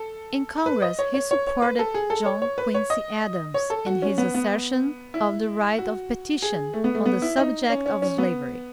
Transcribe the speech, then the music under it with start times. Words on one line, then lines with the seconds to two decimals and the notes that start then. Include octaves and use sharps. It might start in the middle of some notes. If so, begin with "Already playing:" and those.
In congress he supported John Quincy Adams in his assertion of the right of petition on the subject of slavery.
Already playing: A4
0.66 B4
0.82 D#5
0.99 C#5
1.14 C#5
1.31 C#5
1.47 C#5
1.62 B4
1.79 A4
1.94 G#4
2.10 A4
2.26 C#5
2.42 C#5
2.58 B4
2.74 C#5
2.90 D#5
3.54 C#5
3.70 A4
3.86 F#4
4.02 C#4
4.18 B3
4.34 B3
5.14 E4
5.79 F#4
6.42 G#4
6.74 A3
6.84 B3
6.95 A3
7.06 B3
7.22 E4
7.38 D#4
7.70 C#4
7.86 C#4
8.02 C#4
8.18 B3